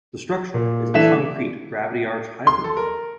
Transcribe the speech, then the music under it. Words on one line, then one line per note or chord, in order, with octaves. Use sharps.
The structure is a concrete gravity-arch hybrid dam.
A#2
E3 A3 D4 E5 B6 E7
C6
A4
A#4